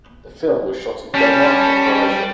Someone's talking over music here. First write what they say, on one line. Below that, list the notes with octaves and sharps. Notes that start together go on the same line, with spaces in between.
The film was shot in Denmark and Croatia.
G3 C#4 A5